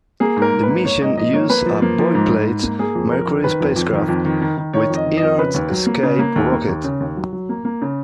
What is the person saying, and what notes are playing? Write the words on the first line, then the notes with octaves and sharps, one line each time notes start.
The mission used a boilerplate Mercury spacecraft, with inert escape rocket.
A#3 G#4
G#2
A#4
G#2
B4
A#3
A#3 C#5
G#2 D#5
F3 D#5
A#3 C#5
A#3 B4
F3
A#3
F3
G#2
G#2
G#2
A#3
A#3 G#4
F2
F2 A#4
D#3
D#3 B4
F2
F2
D#3
F2
D#3
D#3
D#3
D#3 C#5
F2
D#5
D#3
D#5
F2
C#3 B4
D#2
F#3
A#3
C#3
A#3
D#2
A#3
D#2
C#3
D#2
F#3
F#3
A#3
A#3
C#3